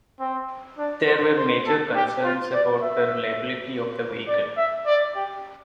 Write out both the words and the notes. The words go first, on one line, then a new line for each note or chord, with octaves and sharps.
There were major concerns about the reliability of the vehicle.
C4
D4
C5
C5
A4
G4
F4
D5
E5
D5
E5
D5
G4